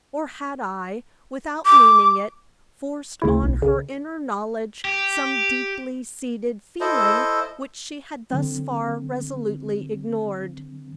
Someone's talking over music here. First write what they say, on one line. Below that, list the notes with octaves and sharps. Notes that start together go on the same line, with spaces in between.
Or had I, without meaning it, forced on her inner knowledge some deeply seated feeling which she had thus far resolutely ignored?
D6
D2 C#3 E4
B1
C#3
G4
E4 A4 C5 D#5
D3 F#3 C4